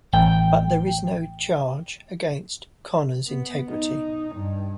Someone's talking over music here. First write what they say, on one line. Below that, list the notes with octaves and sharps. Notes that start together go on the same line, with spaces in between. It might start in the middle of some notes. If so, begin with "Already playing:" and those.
But there is no charge against Connor's integrity...
A1 G5
B3
D#4
G2